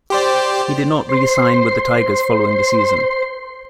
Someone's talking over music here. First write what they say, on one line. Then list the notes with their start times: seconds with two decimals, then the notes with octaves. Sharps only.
He did not re-sign with the Tigers following the season.
0.10 G4 C5 D5
1.09 C5 C6